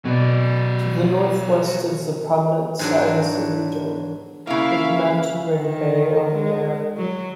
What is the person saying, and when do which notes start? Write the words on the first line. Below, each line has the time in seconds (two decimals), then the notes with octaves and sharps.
To the northwest is the prominent Sinus Iridum, a mountain-ringed bay on the mare.
0.05 B2 F#3 D5
2.79 G#2 F#3 D4
4.47 C#3 A#3 E4 E5 F5
5.53 D#3
6.34 G#3
6.97 F#3